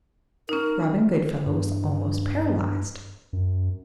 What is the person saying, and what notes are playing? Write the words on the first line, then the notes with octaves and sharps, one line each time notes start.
Robin Goodfellow was almost paralyzed.
C#4 D#4 A#4
G2
F#2